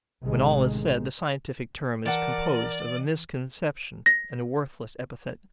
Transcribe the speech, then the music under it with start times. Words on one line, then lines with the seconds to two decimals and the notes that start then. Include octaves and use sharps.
When all is said, the scientific term is composed of a misconception and a worthless epithet.
0.24 A1 A2 C3 D#3 G#3
2.06 E3 A#4 D5 F#5 A5
4.06 A#6